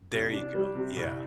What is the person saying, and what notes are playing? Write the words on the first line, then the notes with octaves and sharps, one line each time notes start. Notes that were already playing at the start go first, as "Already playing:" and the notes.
There you go, yeah.
C2
D4
G3
C3
C2